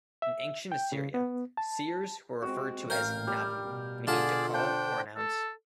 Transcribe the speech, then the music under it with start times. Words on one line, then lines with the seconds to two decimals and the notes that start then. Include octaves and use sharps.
In ancient Assyria seers were referred to as "nabu", meaning "to call" or "announce".
0.22 E5
0.72 G5
0.92 C#3
1.14 B3
1.57 A5
2.42 G#3 C4 F#4
2.90 A1 A#4 F5 G5
3.27 G3
3.66 B2
4.07 D3 F4 G#4 D5 A5
4.54 D4 C5 F#5 G5
5.17 A4